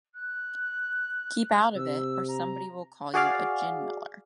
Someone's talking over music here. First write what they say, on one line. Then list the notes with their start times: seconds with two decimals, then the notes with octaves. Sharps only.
Keep out of it, or somebody will call you a gin-miller.
0.14 F#6
1.76 C3 E6
2.28 A#5
3.14 F#4 G#4 D5 F5